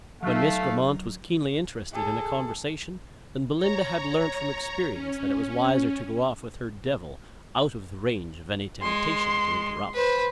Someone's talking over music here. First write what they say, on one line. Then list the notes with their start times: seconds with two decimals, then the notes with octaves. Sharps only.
When Miss Grammont was keenly interested in a conversation, then Belinda had learnt from experience that it was wiser to go off with her devil out of the range of any temptation to interrupt.
0.23 F#3 A3 D#4 F5
1.92 G#4 A4
3.57 C#5 A#5
4.92 C#4
8.82 G#3 C6
9.94 B4 C5